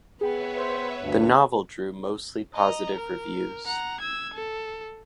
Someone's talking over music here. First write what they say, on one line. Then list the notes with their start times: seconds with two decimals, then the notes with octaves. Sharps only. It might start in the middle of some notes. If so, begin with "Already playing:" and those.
The novel drew mostly positive reviews.
0.21 B3 G#4 B4 C#5 E5 G5 B5
0.58 C5
1.01 D2 G2
2.55 D#5 A#5
2.95 A#4
3.66 F#5 A#5
4.00 E6 G#6
4.34 A4